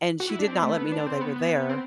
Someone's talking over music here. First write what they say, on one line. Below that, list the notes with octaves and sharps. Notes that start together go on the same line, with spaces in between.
and she did not let me know they were there,
F#4
E4
D4
C4
A3
B3
D4
C4
B3
B3
C4